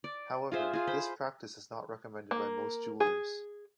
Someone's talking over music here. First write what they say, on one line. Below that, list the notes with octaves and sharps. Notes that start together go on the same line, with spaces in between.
However, this practice is not recommended by most jewelers.
D5
F4 G#4 C5 E5
F4 G#4
C5 B5
A#3
G#4